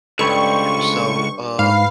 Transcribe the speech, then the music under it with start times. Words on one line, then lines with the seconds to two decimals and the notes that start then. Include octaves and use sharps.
So, uh,
0.19 C#2 G2 A4 C5 G5 B5 C#6
1.59 G#2 B4 F5